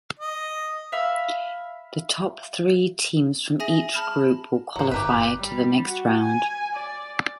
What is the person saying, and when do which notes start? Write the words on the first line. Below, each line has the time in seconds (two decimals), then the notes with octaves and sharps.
The top three teams from each group will qualify to the next round.
0.19 D#5
0.92 E5 F5 B5 E6
3.60 G#4 E5 G#5 D#6 A#6 F#7
3.94 A5 B5 F6
4.76 G#2 F#3 C5
4.91 G1 G4 A#4 B4
5.38 G3
5.85 F#4
6.18 G#5
6.75 D5